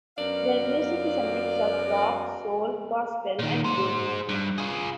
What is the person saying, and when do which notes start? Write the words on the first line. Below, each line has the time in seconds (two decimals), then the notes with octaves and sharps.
Their music is a mix of rock, soul, gospel and blues.
0.18 F#2 B3 A#4 D5 F5
3.39 A#2 D#3
3.65 G#3 C5
4.29 G2
4.58 F4 G#4